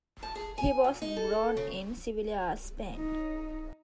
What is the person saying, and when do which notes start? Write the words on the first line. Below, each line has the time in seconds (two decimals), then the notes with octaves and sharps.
He was born in Seville, Spain.
0.23 A5
0.35 G#4
0.58 G#5
0.84 A#2
1.02 D#4
1.16 A4
1.57 C#3
2.96 D#4